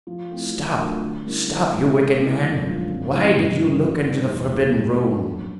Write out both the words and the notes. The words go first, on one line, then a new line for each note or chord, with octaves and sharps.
"Stop! stop, you wicked man, why did you look into the forbidden room?"
F3
A3 C4 E4
F#3
A3 D4 F4 A#4
D3
G3 A#3 C#4 E4
E3
G#3 C4 E4
G#3
B3 E4
F#2
D3 F3 G#3
F2
C#3 E3 G#3
G2
D#3 F#3 A#3 D4
G3
B3 D#4 G#4
E2
B2 F#3 B3
A2
F3 A#3 D4 F4
F#2